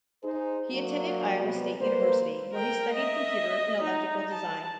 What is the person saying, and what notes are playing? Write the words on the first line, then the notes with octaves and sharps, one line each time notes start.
He attended Iowa State University where he studied computer and electrical design.
D#4 G#4 C5
F#3 A#3 D4 F#4
C3 F#3 G3 B3
A#3 B4 C5
A#4 G5
D#5 E5
D#4
A5